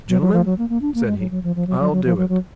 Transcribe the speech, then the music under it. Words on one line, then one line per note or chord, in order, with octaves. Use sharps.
"Gentlemen," said he, "I'll do it!"
F#3
F#3
F3
F#3
A#3
A#3
D4
A#3
G#3
F#3
F#3
F3
F3
F#3
F#3
F#3
F3
F#3
F#3